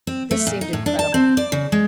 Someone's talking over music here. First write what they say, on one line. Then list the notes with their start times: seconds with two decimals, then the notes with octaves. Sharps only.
This seemed incredible.
0.07 C4
0.31 A3
0.47 A#2
0.61 D#4
0.73 A2
0.86 D4
0.99 A5
1.14 C4
1.37 D5
1.52 C#3
1.72 G#3